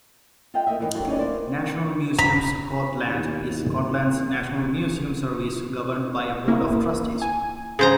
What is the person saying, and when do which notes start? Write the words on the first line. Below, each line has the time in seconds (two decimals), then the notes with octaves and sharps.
National Museums Scotland is Scotland's national museum service, governed by a board of trustees.
0.54 F4 D#5 E5 F#5 G5
0.67 A#3 D4 D#5 E5
0.79 D#2 E3 A#3 D4 D#4
0.94 D3 F#3 F4 F#4
1.07 C#4 D#4 G#4 A#4 B4 D5
1.19 A#3 E4 B4 C5 D5
2.19 A#5 B5
3.07 D#2
6.48 A#3 E4
7.22 G#5
7.79 C#3 G#4 C5 A#5